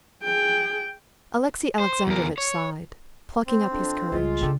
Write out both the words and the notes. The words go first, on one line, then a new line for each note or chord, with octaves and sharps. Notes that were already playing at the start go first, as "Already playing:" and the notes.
Alexey Alexandrovitch sighed, plucking up his courage.
G#4 G5
C5
E2 A#4
C#5
C4
F2 D4
C#2 G3 G#3 F4
C#3 D4 G4 A4